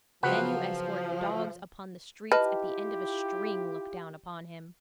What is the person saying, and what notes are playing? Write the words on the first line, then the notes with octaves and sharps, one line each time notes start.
Men who escort dogs upon the streets at the end of a string look down upon him.
C#3 F3 F#3 C4 B4 F#5
E4 F4 G4 B4 D#5 A5 F6